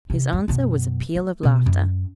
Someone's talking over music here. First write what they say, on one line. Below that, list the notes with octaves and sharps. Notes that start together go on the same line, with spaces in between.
His answer was a peal of laughter.
C3
F2
F#2 B2
A3
B2
F#2